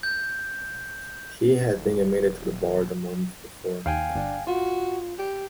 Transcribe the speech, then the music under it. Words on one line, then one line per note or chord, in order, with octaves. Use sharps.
He had been admitted to the bar the month before.
G6
D#1
D#2 F5 G5 G#5
G1 D4
F4 F#4
G4